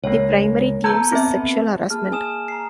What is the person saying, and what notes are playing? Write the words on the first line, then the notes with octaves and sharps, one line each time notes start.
The primary theme is sexual harassment.
C#2 A#3 C#5
B3 A4 A#5 G6 G#6
C4 E5
A#3 G#4 A5 F6
G#5 D#6 E7
A#5 C7